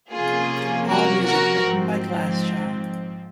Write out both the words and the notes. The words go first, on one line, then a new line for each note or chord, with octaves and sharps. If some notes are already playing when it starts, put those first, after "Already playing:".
All music written by Glassjaw.
C3 F3 A#3 C#4 F4 G#4
F#4 A#4
F#4 A#4
G#2 F3 C4